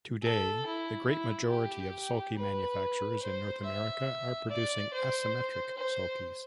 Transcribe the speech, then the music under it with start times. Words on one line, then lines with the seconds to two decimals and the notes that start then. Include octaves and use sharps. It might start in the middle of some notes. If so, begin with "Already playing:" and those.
Today the great majority of sulky manufacturers in North America are producing asymmetric sulkies.
0.23 A4
0.66 E4
1.08 E4
1.50 G4
2.37 B4
3.22 C5
3.64 E5
4.50 D5
4.93 C5
5.78 C5